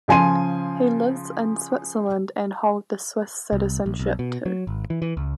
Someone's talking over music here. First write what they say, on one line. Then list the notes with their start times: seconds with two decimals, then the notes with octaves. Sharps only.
He lives in Switzerland and hold the Swiss citizenship, too.
0.08 C#3 F3 G#5 C6 D#7
3.53 C2
3.86 A#1
3.99 B1
4.19 B2
4.46 F#3
4.67 G#1
4.90 E3
5.02 E3
5.17 C#2